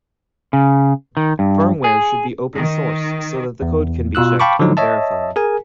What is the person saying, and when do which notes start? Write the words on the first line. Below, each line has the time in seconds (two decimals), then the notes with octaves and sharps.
Firmware should be open-source so that the code can be checked and verified.
0.53 C#3
1.17 D#3
1.39 G2
1.84 G#4
2.54 D#3
3.62 E2
4.15 B2 F4 E6 F#6
4.40 F5 G5 A5 B5 C#6 D6
4.59 D3 F3 F#3 D#4
4.77 C#5 D#5 E5 A5
5.36 G#4 A#4 G#5